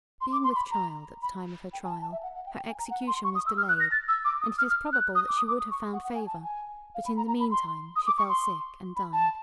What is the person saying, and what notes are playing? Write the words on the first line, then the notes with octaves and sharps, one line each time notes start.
Being with child at the time of her trial, her execution was delayed; and it is probable that she would have found favor, but in the mean time she fell sick and died.
C6
D6
C6
B5
A#5
B5
G5
G#5
A5
A5
E5
F#5
F#5
G5
G5
G#5
A#5
F#5
C6
C#6
D#6
E6
F6
F#6
A#6
A6
E6
D6
D#6
F6
F6
F#6
D#6
D6
D#6
D6
D#6
C#6
F#5
F#5
G#5
A5
G#5
F5
B5
A#5
A#5
B5
C6
D#6
D6
C#6
C6
B5
A5